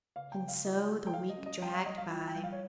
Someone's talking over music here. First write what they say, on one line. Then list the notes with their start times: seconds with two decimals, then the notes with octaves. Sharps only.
And so the week dragged by....
0.16 C#3 F5
0.32 G5
0.41 C#3
0.48 F5
0.65 F4 D#5
0.89 G3
1.07 G5
1.13 G3 F5
1.29 D#5
1.38 C#4
1.46 D#5
1.62 G3 G5
1.74 F5
1.86 G3 D#5
1.98 F5
2.11 F4 G5
2.28 G5
2.35 G3
2.44 F5
2.52 C#5